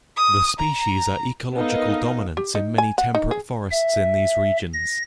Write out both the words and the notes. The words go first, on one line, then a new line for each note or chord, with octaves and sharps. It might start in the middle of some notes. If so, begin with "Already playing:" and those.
The species are ecological dominants in many temperate forests in these regions.
D#6
A#5
B3 D#4 A4 A#4 D#5 F5
G4
D#4
G#5
F#5
D#4
G#4
E5
A#6